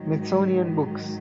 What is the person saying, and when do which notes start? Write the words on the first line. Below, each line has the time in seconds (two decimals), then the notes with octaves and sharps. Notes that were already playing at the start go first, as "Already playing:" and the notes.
Smithsonian Books.
Already playing: G#2 D#3 F#3